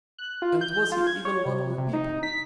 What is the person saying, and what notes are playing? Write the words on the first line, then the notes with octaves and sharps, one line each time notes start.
And was he even one of the people?
F#6
F4
G6
F4
G#6
C#5
C3
C3
D#4
B6